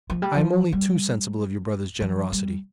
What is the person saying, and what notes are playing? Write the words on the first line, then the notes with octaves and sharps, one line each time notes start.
I am only too sensible of your brother's generosity.
F3
G3
F3
G3
F3
G3